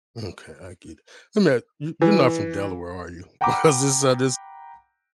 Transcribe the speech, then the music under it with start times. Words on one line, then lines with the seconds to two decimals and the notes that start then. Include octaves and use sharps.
Okay, I get it. I mean, you you're not from Delaware, are you? Because this this
2.02 E3
3.41 F#5 G5 A#5 B5 D6